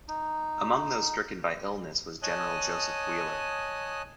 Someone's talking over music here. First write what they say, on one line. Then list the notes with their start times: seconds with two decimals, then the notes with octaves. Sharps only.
Among those stricken by illness was General Joseph Wheeler.
0.09 D#4
2.23 C#5 D#5 G#5 A5 D#6 F#6